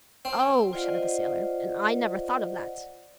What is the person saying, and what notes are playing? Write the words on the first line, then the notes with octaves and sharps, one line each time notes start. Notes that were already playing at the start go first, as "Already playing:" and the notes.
"Oh!" shouted the sailor, "and I never thought of that."
C4
F4 C5 D5 D#5 F5 F#5